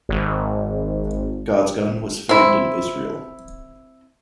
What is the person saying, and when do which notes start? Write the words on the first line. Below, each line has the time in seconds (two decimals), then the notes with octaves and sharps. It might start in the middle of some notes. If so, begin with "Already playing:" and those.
"God's Gun" was filmed in Israel.
0.09 G#1
2.29 C4 E4